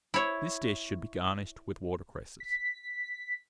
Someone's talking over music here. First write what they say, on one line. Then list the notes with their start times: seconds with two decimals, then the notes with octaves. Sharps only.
This dish should be garnished with water-cresses.
0.14 E4 C#5
2.40 B6